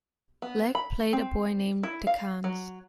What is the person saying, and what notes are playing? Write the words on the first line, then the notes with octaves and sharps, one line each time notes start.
Leach played a boy named Decenz.
B3
B5
C4
E4
F5
F#3